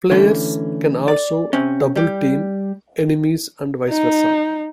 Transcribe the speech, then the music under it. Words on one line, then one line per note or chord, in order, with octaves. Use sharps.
Players can also double-team enemies and vice versa.
D3 E3 A3 C#4
D5
C3 C4 C#4
G3 G4
D#4